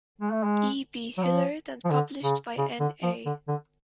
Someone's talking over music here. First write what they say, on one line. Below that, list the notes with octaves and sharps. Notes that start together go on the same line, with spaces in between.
E. B. Hillard and published by N. A.
G#3
A3
G#3
F#3
F3
F3
D3
C#3
C#3
D3
F3
D3
D3